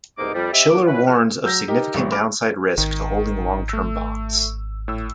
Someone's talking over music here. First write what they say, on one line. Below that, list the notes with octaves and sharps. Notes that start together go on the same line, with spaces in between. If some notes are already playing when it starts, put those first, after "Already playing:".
Shiller warns of significant downside risk to holding long term bonds.
C2 G#2 B2 A#3 D#4 D6
F2 G3
C4 G4 D#5 E5
D#2 D6
C#4 E4 F#4 B4
F2 F#5 F6
F#3 E6 G6 A#6
D#4 G4 A#4
A1 G2 G3 C#6
B5 D6 F6 D7
G#1 D#3
A3 E6
A2 E6